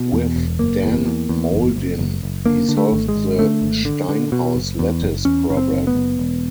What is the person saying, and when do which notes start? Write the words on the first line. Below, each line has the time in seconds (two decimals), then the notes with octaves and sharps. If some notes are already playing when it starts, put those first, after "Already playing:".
With Dan Mauldin he solved the Steinhaus lattice problem.
Already playing: B2
0.13 E2
0.36 E1
0.59 F#1 A#3
0.83 E2
1.06 E2
1.29 E2
1.53 F#1
1.76 F#1
1.99 F#1
2.23 F#1
2.46 D3 A#3
2.69 D3
2.77 A3
2.92 G#1
3.08 G#3
3.16 G#1
3.39 D3 A3
3.62 G#1
3.85 D3
4.09 D3
4.32 B2
4.56 F#1
4.79 E2
5.02 F#1
5.25 E2 C#4
5.49 F#1 C#4
5.57 C4
5.72 F#1
5.87 B3
5.95 F#1
6.19 E1